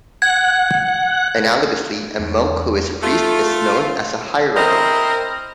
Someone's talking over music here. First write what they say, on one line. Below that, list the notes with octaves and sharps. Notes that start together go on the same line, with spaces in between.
Analogously, a monk who is a priest is known as a hieromonk.
F#5 G#6
E2
A3 F4
C4 E4 A#4 C5 D#5